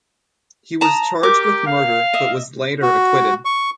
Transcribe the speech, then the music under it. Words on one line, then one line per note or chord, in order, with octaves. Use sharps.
He was charged with murder but was later acquitted.
A5 A#5 D#6
G4 A#4 D6
F5
D#5 E5
F#4
C#6